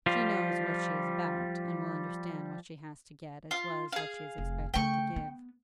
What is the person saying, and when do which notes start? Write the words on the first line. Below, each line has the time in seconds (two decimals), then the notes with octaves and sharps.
She knows what she is about, and will understand what she has to get as well as what she is expected to give.
0.06 F3 G3 F4
3.51 F4
3.92 G#4 F5
4.38 F1
4.74 C#3 A3 G5 C#6
5.16 B3